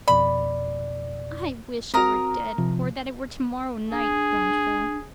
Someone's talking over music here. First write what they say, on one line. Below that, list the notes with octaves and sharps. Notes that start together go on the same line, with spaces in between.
"I wish I were dead, or that it were tomorrow night," groaned Phil.
F2 B2 D5 B5
C4 F#4 A#4 A#5 D#6
C3 F3
D4 G#4